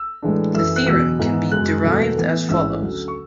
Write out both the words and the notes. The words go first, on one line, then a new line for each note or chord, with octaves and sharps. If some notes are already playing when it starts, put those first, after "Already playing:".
The theorem can be derived as follows.
Already playing: E6
A2 E3 G#3 D4
F#2 E3 A3 E4 E6
F#6
E2 B2 F#3 E6
G#2 E3 B3
F#2 C#3 G#3 F#6
E1 E2 D3 F#3 A3
A2 E3 B3
A1 G#2 G#3 C#4 E4 E6
D2 D3 F#3 A3 C#4
C#6